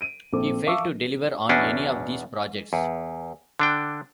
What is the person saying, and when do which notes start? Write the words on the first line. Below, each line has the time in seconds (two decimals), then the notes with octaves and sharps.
He failed to deliver on any of these projects.
0.01 D7 D#7
0.33 A#1 C4 A4 D6
0.66 E5 F5 A5 C#6 D6 E6
1.49 E2 B2 C#4 D4
2.73 E2
3.60 D3 D4 G5